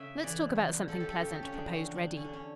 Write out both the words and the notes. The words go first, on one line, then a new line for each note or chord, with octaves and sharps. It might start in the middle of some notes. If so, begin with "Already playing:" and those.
"Let's talk about something pleasant," proposed Reddy.
Already playing: C#3 E5
E3 D5
E2
F3 A4
G4
A4
C#3
G4
C#4
C#3 D4
C#4
E2
D4
D3 C#4
D4
C#4